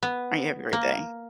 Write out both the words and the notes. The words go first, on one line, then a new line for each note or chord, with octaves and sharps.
I Have a great day.
B3
A#3